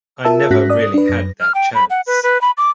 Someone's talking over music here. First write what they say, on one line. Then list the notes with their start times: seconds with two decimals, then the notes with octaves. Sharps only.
I never really had that chance.
0.24 F4 A#4 E5 A5 E6
0.50 G#2 C#4 F#4 F#6 A#6 B6
0.70 D5 D#6
0.94 D4 B4
1.08 F#2 A#6
1.41 F6
1.55 G5
1.74 B5
1.90 F#5
2.07 B4
2.23 B4
2.41 B5
2.57 D6